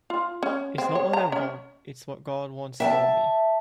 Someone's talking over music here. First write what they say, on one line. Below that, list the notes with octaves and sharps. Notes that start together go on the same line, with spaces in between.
It's not what I want; it's what God wants for me.
F4
C#4
C4
C#5
A#5
C#4
E5 G5 A5